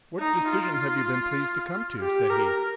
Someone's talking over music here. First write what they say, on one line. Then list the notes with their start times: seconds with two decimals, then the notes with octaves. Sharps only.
"What decision have you been pleased to come to?" said he.
0.20 D#4
0.50 F4
2.01 G4
2.30 A#4